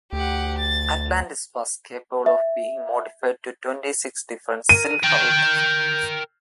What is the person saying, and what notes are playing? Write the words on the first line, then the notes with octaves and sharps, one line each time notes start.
"Atlantis" was capable of being modified to twenty-six different silhouettes.
D2 G4 F#5
A6
E5
A#4 D#7
A#4 G5 G6